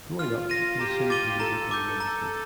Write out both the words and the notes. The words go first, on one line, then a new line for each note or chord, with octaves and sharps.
Growing up, he assumed he would become a minister.
F4 F6
F4 A#6 D#7
G4 A#5
D6 A6 D#7 G7
A4 A#5
D6 G6
A#5